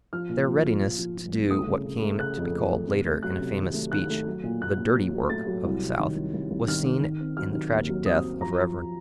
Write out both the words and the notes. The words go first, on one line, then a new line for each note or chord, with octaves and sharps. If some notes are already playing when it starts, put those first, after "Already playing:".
Their readiness to do what came to be called later, in a famous speech, the "dirty work" of the South was seen in the tragic death of Rev.
F3 F6
A#2
F3
F3
F3
F3
F3
C2
A3 D#6
C#3
C#3
A3
C#3 F#6
F2
A3
A3
C3
A3
F#3 F#6
C3
D#3
A3
D#3 F#6
A3
F#3
A#2
A#2 F#6
A#2
F#3
F#3
A3 A6
F#3
C2
C3
D#3
C2
C2
C2
D#3 F6
D#3
D#3
C4
F#3 F6
D#3
D#2
F#3
C4 D#6
F#3
F3 A#5
F3